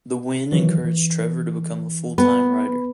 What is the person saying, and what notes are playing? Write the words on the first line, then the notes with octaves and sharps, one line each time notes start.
The win encouraged Trevor to become a full-time writer.
D#3 E3 F#3
E3
B3 B5